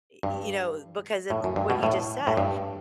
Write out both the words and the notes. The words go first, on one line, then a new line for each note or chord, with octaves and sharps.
Y you know, because of what you just said,
G2
A2
F#2
G2
B2
A2
A2
G2